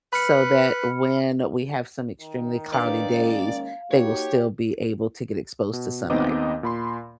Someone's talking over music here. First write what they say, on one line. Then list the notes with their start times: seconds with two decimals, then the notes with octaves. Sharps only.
so that when we have some extremely cloudy days, they will still be able to get exposed to sunlight.
0.13 B4 B5 F6 C#7
2.21 D#3
2.73 D4 B4 D5 F5
3.12 G#3 A#3 C#4 F5
3.91 A#3 D#4 F#4 G4 C#5
5.73 B2
6.10 D#2 B3 C4 D#4 D#5 D6
6.63 A#2 B5 C6